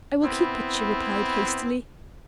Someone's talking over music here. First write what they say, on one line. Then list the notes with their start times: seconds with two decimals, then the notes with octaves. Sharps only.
"I will keep it," she replied, hastily.
0.22 B3 C4 E4